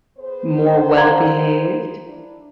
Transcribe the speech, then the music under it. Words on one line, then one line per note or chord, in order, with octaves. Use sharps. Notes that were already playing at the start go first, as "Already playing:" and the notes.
more well-behaved?
B3 G#4 C5
F5 A#5 G#6
D4 E4